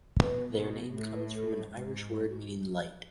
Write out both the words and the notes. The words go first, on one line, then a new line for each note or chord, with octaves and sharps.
Their name comes from an Irish word meaning "light".
B2 B4
B2
A2 A4
A4
B4
A4
G#2
A4
F#4